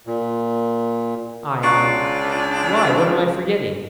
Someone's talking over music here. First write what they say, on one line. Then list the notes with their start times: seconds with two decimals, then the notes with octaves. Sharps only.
ION: Why, what am I forgetting?
0.07 A#2
1.63 C#2 D4 F4 A#5 C#6 F#6